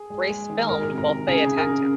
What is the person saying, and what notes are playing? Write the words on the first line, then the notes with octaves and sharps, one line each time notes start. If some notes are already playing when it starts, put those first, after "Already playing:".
Grace filmed while Faye attacked him.
Already playing: G#4
G#3
G#3
D#3
G#3 A#4
A#4
C3
A#4
C3
C#3 G#4
C#3
A#4
C#3